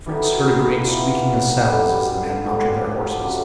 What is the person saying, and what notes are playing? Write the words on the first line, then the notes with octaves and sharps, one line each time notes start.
Fritz heard a great squeaking of saddles as the men mounted their horses.
E3 G3 B3 D#4 G4 A4
F#4 G#4
G#4
F4 G4
E3 G3 B3 D#4 F4
D3 G3 B3 D4
D3 G3 B3 D4 F4
F4 G4
C#3 F#3 A3 C4 F4 G4